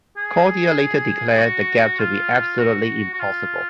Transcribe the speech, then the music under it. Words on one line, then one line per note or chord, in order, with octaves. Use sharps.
Cordier later declared the gap to be "absolutely impossible".
G#4
F#4
F4
F#4
F#4
F4